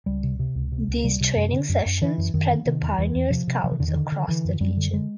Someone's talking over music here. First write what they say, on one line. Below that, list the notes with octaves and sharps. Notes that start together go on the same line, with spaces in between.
These training sessions spread the Pioneer-Scouts across the region.
C#2 G3
C3
C3
C#2
C3
C#2
C3 G3
C3
F#2
D3
F#2
F#2
D3 E3
F#2
F#2 D#3
D3
C3 D#3
E2
E2 E3
E2
C3 F3
C3
C3 F3
E3
E2 D3
D#3
D3
D3
D3 E3
F#2
F#2 G3
D3
D3 G#3